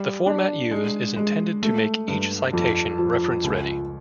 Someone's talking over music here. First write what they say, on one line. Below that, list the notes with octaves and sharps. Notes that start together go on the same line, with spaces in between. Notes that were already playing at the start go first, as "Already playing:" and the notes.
The format used is intended to make each citation reference-ready.
Already playing: G3
D4
G#3
G#3
A3
G2
F2
F3
C#2